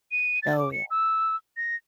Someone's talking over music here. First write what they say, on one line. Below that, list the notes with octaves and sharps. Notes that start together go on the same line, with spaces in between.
Oh, yeah.
D#7
A6
D6
C#7
E6
A#6